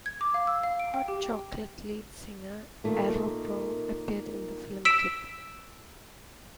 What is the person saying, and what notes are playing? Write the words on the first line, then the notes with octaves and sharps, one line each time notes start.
Hot Chocolate lead singer Errol Brown appeared in the film clip.
G#6
D6
F5
E6
F5
D7
G5
G4
A#2 D#3 A3
E6 B6 D7 E7